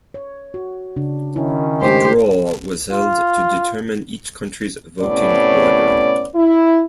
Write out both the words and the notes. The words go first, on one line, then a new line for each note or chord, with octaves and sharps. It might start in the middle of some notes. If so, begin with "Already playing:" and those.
A draw was held to determine each country's voting order.
C#5
F#4
C#3 D4
D#3 C#4 E4
G#3 A3 D4 G4 C5
F4
A2 C3 B3 C#4 D5
E4